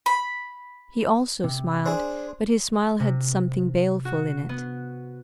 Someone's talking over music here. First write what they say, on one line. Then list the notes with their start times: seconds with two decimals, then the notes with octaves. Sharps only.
He also smiled, but his smile had something baleful in it.
0.06 B5
1.44 C3
1.86 D4 G#4 C5
3.00 C3
4.05 F#4
4.49 B3